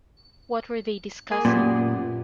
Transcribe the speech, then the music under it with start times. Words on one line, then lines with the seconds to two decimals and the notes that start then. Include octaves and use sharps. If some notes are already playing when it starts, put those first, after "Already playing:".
What were they discussing?
1.31 A#3 G#4 G#5
1.45 F#2 A#2 B3 G4